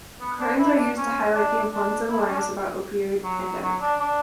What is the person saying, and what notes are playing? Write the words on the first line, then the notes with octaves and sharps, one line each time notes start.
Curtains are used to highlight the importance of awareness about opioid endemic.
B3
D4
E4
D4
C#4
D4
D4
E4
D4
C#4
D4
F#3
F#3
F#3
D4
D4